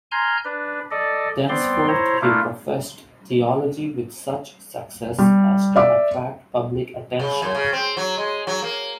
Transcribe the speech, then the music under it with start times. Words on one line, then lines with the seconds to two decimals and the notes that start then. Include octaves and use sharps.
Thenceforth he professed theology with such success as to attract public attention.
0.12 G#5 A#5 C6 F6 G6
0.45 D4 B4
0.91 A4 D5 D#5
1.49 B3 C4 D5 C6
1.88 E4 C5 C#5 A#5
2.21 A3 A#3 D4 E4 F4
5.19 G3
5.76 D5 E5 D6
7.20 C#3
7.42 F#2
7.55 C#3
7.72 C4
7.97 F#3
8.17 G#3
8.47 F#3
8.62 A#3